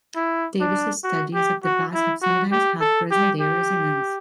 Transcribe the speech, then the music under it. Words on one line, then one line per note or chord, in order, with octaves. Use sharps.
Davis's studies of the past have sometimes had present-day resonance.
E4
D4
F#4
G4
F#4
E4
F#4
G4
A4
G4
G4